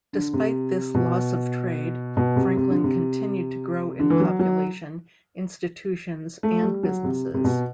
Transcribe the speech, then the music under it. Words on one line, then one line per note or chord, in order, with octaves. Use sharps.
Despite this loss of trade, Franklin continued to grow in population, institutions and businesses.
D3
C3
B2
B2
C3
C3
D3
C3
D3
E3
F#3
F#3
A3
G3
F#3
C3
C3
B2